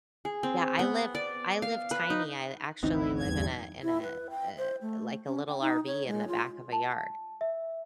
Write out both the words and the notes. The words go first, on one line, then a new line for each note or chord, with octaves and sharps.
Yeah, I live I live tiny. I actually live in a in a, eh, like, a little RV in the back of a yard.
G#4
C4
B3
D5
F5
B4
D#4
G#1 D2 E3 B3 C4 D#4 E4
E2 G2 G#6
E4
B4
G5
C5
A3
C#4
G5
D#4
C#5
G#3
F4
A5
E5